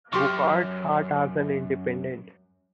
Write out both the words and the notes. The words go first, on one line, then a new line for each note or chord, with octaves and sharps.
Bouchard sat as an independent.
F#2 G4 C6 C#6